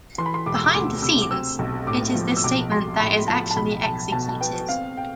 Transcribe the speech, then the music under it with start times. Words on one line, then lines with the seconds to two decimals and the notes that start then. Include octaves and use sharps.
Behind the scenes, it is this statement that is actually executed.
0.18 E3 C6
0.26 B5
0.34 C6
0.46 E1 D6
0.55 E6
0.64 D6
0.75 D2 D6
1.02 C3 E6
1.21 D6
1.31 C4 E6
1.59 B1
1.87 A2 D6
2.15 F3
2.37 E6
2.44 B1 D6
2.72 B1 C6
3.00 A2 B5
3.28 F3 A5
3.51 A5
3.56 B1 B5
3.85 B1 A5
4.12 B2 A5
4.29 A5
4.41 B3 G5
4.69 C4 F5
4.97 G5